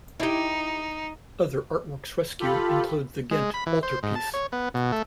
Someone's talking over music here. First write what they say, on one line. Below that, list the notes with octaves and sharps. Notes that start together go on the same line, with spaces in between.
Other artworks rescued included the Ghent Altarpiece.
D#4 E4 G4
F4 G4 A4 B5
G#3
B5
E3
C5
G#2
A5
C#5
B3
B2
A3